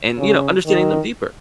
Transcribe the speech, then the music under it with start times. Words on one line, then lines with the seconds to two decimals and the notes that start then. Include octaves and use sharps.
And, you know, understanding them deeper.
0.18 C#3
0.66 D#3